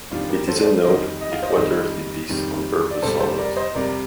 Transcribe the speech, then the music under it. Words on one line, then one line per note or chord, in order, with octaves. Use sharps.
It is unknown if Waters did this on purpose or not.
F2 D#3 G3 D4 F4
G4 A#4
A4 C5
D5
A4 C5
F2 D#3 G3 C5 D#5
D#5
F5
C5 D#5
D5
F2 D#3 G3 C5 D#5
F2 D#3 G3
D5
F2 C3 G3 A4 C5
A4 C5
A#4 D5
C5 D#5
F2 C3 G3 A#4 D5